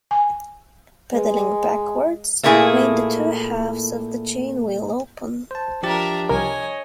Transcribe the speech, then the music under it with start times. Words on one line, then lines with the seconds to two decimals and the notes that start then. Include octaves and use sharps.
Pedalling backwards made the two halves of the chain wheel open.
0.11 G#5
1.15 G#3 B4
2.43 A#2 A3 A#3 E4 G#4
5.51 C5 A5
5.83 F3 D4 G4 A#4 E5 A6
6.29 C2 A#4 C#5 D#5 G#5